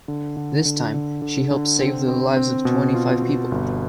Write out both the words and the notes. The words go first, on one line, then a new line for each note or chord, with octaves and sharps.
This time, she helped save the lives of twenty-five people.
D3
D3
D3
D3
D3
D3
C4
C4
C4
B2
F4
B2
G1